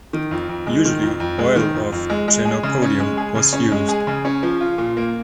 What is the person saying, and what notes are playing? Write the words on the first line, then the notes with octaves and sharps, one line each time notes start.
Usually, oil of chenopodium was used.
D#3
F2
F2
G#3
D#3
F2
F2
G#3
D#3
F2
F2
G#3
G#3
G#4
C#3
C#4
G#3
G#4
C#3
C#4
G#3
G#4
C#3
C#4
F3
F4
A#2
A#3